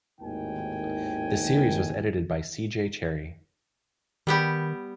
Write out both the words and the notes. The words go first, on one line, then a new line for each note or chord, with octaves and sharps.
The series was edited by C. J. Cherryh.
G#1 D#2 A2 D#3 G5 G#5
D#3 G3 B3 G4